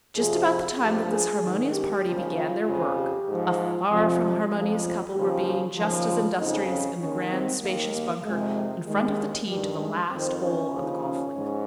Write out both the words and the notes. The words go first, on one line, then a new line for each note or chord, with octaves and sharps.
Just about the time that this harmonious party began their work, a far from harmonious couple were being just as industrious in the grand spacious bunker in front of the tee to the last hole on the golf-links.
F2 C3 F3 G#4
G2 F3 G4
G#4
G#2 D#3
G4
D#2 C#3 F3
F4
F2 C#3 F3
G4
G#2 F3
F4
F2 C3 F3
F2 C#3 F3
D#2 C#3 F3 G4
D#2 C#3 F3
F4
F2 C#3 F3 D#4
C#4
D#2 D#3 C#4
C4
D#2 D#3 A#3
A#3
F2 C3 D#3 G#3
D#2 D#3 G#3
G2 D#3 G3
G#3
F2 D#3 C4
C#4
D#2 C#3 F3
C#4
G#2